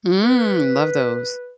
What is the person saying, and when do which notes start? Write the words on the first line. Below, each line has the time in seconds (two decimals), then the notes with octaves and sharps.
Mm, love those.
0.24 B4